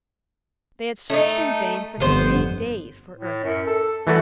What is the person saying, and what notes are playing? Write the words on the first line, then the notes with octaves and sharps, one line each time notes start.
They had searched in vain for three days for Ervic.
A3 D#4
G1 F2 B3 C5
A2
F#2
A4
E3 G3 A3 F#4